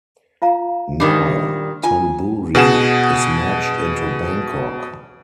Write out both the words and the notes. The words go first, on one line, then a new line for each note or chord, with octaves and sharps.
Now Thonburi is merged into Bangkok.
F4 F5 A#5
A#2 D#3 G3 D4 B5 D6
F4 G#5
B2 G#4 F#5 E7